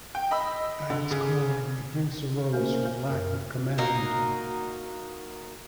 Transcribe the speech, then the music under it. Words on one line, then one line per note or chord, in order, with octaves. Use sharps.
At its core, the abuse arose from lack of command.
G5
D#5 B5 E6
D3
C#3
A3 A#3 C#4 A#4 C5
F#2 A#4
A#3 D#4 F#4 A#4